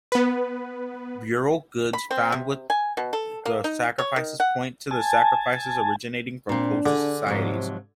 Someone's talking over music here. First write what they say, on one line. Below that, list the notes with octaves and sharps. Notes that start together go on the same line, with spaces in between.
Burial goods found with the sacrifices point to the sacrifices originating from coastal societies.
B3 B4
B5
C4
C3
G#5
B2
A4
A#3
D#4
C#5
D#3
F#5
G#5 A5
A#2 C4 D4
D3 G#4
G#2 C3 F3 F#3